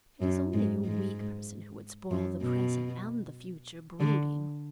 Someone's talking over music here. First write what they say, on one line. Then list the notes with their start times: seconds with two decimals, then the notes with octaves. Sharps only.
It is only a weak person who would spoil the present and the future, brooding.
0.22 F#2
0.53 G#2
0.85 G#2
2.11 F#2
2.42 B2
4.00 D3